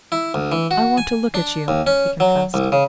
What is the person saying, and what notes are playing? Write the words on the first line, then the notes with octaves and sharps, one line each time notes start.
"I want to look at you," he confessed.
E4
D2
E3
F#4
G#5
D4
D#2
C#4
F#3
C2
C#3